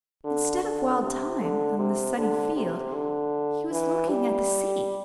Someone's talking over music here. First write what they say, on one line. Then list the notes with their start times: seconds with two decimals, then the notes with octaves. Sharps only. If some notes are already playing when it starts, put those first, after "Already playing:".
Instead of Wild Thyme and the sunny field, he was looking at the sea.
0.24 D3
0.63 D3
1.02 C3
1.40 D3
1.79 C3
2.17 D3
2.56 C3
2.94 D3
3.71 E3
4.09 G3